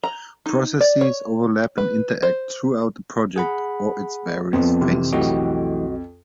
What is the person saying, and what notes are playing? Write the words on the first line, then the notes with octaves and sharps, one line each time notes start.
Processes overlap and interact throughout a project or its various phases.
A#5
D#4
D5
C#5
B4
C5
G#4 F#5 B5
F2 F3 B3
C3 E3
B1 E3 A3 F#4 G4 D#5